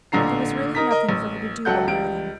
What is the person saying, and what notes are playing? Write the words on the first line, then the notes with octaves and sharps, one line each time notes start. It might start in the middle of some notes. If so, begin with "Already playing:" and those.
There was really nothing for her to do but wear them.
A1 A#2 D3 A#5 C7
D#4 A#4 A#5 D#6 B6
A#4 D#5
A1
C#2 F#3 A4 F#5 F#6 G6
C#2 G3 D7